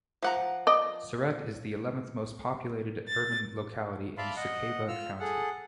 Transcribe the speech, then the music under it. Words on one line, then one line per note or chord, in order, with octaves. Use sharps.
Siret is the eleventh most populated urban locality in Suceava County.
F3 F#5 A#5
D5 D#5
A6
D5 E5 F5 A5 B5 C6
D#5 F#5
F4 E6 F6
G#4 A4 F#5